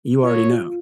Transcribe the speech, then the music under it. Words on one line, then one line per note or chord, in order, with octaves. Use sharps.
You already know,
F4 C#5